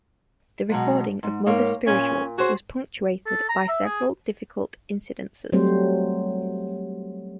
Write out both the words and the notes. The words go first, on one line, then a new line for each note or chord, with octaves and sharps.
The recording of "Mother's Spiritual" was punctuated by several difficult incidences.
B2 F#3 G#3
G#2
G#2 A#3 C#5
A#2 C#4
F#4 G#4 C5
A4
A#5
E5
G#4
F#3 G3 A3 C4 C5